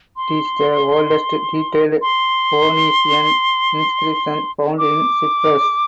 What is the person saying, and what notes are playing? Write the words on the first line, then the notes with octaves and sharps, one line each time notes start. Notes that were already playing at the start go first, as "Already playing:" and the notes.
It is the oldest detailed Phoenician inscription found in Cyprus.
C6
C6
D6